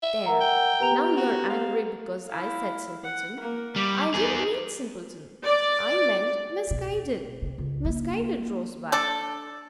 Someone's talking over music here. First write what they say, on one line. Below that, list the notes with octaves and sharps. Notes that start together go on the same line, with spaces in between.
There, now you are angry because I said simpleton!--I didn't mean simpleton, I meant misguided--misguided rosebud!
E5
A#4 F#5 A#5 E6
G5
B3 G4 B4 A#5 F7
F#4
F5
E4 F5
F#5
A#3 A#4
G3 D6
B3 D#4 G#4
D5
B2
C3
C#2
A#3
D4 A4